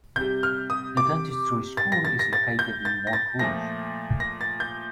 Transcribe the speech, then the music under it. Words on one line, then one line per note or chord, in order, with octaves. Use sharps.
The dentistry school is located in Montrouge.
C3 G3 G6
F6
D#6
D6
A6
A#6
A6
A#6
A6
G6
A6
A#6
A6
A#2 F3 A3 A#6
A#6
A6
G6